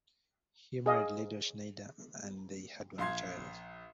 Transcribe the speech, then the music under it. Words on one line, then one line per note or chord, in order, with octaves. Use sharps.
He married Leadell Schneider and they had one child.
G#4 D#5 F5
A#1 F5 C6 G#6